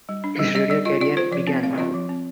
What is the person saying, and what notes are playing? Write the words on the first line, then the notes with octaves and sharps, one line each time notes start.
His radio career began.
G3
D4
G3
G3 D#5
G3 D5
F4 D#5
F4 D5
F4 C5
F3 D5
C4
C4 F5
F4 D#5
F3
C4